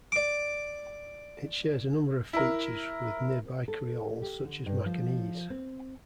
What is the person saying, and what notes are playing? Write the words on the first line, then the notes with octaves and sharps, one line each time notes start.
It shares a number of features with nearby creoles such as Macanese.
D5 D6
E4 A#4
A4
G4
D3
G2
F3
C4